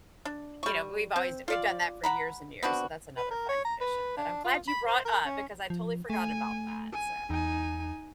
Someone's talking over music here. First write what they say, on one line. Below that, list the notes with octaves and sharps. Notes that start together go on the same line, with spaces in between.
you know, we've always we've done that for years and years, so that's another fun tradition that I'm glad you brought up because I totally forgot about that. So
D4
G3 C#6
C4
F4 D5 F5
F#5 A#5 B5
B3 C4 D4 F#4
B4
A#4
C#5
A#5
B4
D4
F4
B5
C5
A#4
C#4
F3
A3 G#5
G#5
E2 D#4 G#5